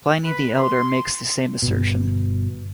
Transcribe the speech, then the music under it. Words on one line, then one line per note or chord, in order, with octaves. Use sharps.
Pliny the Elder makes the same assertion.
B4
C6
G1 B2